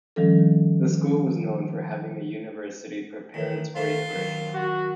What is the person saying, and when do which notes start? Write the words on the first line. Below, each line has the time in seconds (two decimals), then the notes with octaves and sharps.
The school was known for having a university preparatory curriculum.
0.16 D#3 F3 G3 C#4 A4
3.34 D#3 E3
3.75 D#3 A3 F4
4.09 F#2 D#3
4.53 F#4